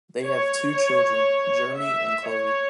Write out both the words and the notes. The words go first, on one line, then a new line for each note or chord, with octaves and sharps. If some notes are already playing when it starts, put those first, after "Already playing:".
They have two children: Jeremy and Chloe.
C#5
C#5
E5
C#5